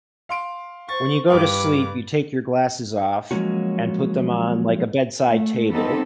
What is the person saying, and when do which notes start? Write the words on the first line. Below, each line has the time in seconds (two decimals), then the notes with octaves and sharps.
when you go to sleep, you take your glasses off and put them on, like, a bedside table.
0.29 F5 C6 D7
0.89 C5 C#6 A6
1.28 G2 B4 F5 G5 D6
3.31 F3 F#3 G#3 A#3 C#4 F#4
5.27 A3
5.71 G3 B3 C4 D#4 A4 B4